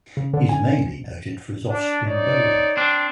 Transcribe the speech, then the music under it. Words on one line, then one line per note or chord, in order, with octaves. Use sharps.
He is mainly noted for his off spin bowling.
C#3
D3
G#5
D4
D#4 C#5 D5
C4 D4